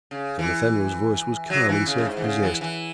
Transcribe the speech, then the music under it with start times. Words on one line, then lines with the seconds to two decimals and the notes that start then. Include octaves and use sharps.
Sir Nathaniel's voice was calm and self-possessed.
0.11 C#3
0.39 E3
1.50 F#3
1.69 E3
1.87 C#3
1.98 F#2
2.05 G#2
2.17 E3
2.24 C#3
2.42 E3
2.61 E3